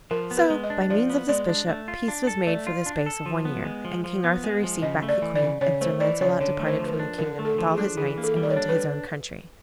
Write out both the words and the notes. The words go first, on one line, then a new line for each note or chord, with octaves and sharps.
So, by means of this bishop, peace was made for the space of one year; and King Arthur received back the queen, and Sir Launcelot departed from the kingdom with all his knights, and went to his own country.
F3 A#4
B3
B4
G#3
D#5
D4
F3 D5
B3
G#3 D5
D4
A3
F4
D4
A4
A3 D5
F4
D4
A4
F3
B3
G#3
F3
F3
B3
G#3
F3
C#3 D#5
A3
D5
E3
D5
C#3
C#3 C#5
A3 C5
E3 D5
C#3 C#5
D3 C#5
A3
C5
F3
B4
A#4
D4
D3 A#4
A3
A4
F3
G#4
D4
E3 G#4
A#3
A4
G3
D5
C#5
D4
B4